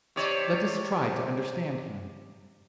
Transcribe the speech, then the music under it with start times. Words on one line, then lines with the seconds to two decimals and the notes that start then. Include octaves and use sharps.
Let us try to understand him.
0.16 C3 C#5 D5